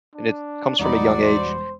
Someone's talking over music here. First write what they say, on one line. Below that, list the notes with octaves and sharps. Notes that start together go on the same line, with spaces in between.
and it comes from a young age-
D4
E1 F#3 G3 D#4 F#4 D5 B5
C5